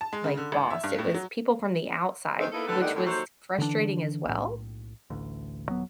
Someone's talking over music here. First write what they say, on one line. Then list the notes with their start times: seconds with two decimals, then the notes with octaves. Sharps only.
like, boss, it was people from the outside, which was frustrating as well
0.01 A5
0.13 G#3
0.24 C#3
0.37 D3
0.52 G#1
0.71 E5
0.84 G2
0.99 A2
1.14 F#3
2.38 D#3 G#3 A3 C4 D#4 C5
2.52 A#3 B3 D#4 E4 A4
2.68 A2 D3 F#4 A4 B4
2.81 D#2 G#2 D3 D#3 G3 F#5
2.94 A2 D3
3.06 D#2 F#3 A4 C5
3.58 D3 E3 G#3 D4
4.25 B1 A2
5.10 A1 D2
5.68 D#1 F#3 B3